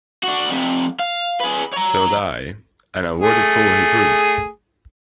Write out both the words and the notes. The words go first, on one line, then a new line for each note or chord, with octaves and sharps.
Thought I, and a worthy fool he proved.
D4 F#4
F2 C3
F5
G#4 B4
C#5 A#5
A3 G#4